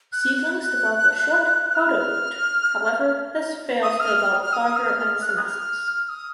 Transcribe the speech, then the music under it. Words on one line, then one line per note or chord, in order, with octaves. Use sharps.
Seedlings develop a short protoroot; however, this fails to develop further and senesces.
F#6
F#6
F#6
F6
D#6
F6
F6
F6
D#6
F6
F6
F#6
F6
D#6
F6
F6
D#6